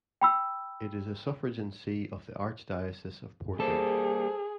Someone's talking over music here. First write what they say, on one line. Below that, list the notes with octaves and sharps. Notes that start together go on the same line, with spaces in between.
It is a suffragan see of the Archdiocese of Portland.
G5 B5 E6
G3 A#3 G#4 A4 C5